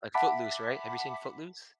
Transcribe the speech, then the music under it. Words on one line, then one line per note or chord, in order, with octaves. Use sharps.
Like, Footloose, right? Have you seen Footloose?
E5 F#5 A5 B5 D6 B6